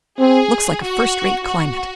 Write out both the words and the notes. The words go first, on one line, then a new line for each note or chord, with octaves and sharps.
Looks like a first-rate climate.
C4 G#4
F#4
F#4